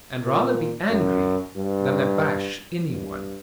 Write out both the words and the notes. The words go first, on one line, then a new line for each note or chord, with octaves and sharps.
And rather be angry than abash any one!
A#2
F#2
G2
G2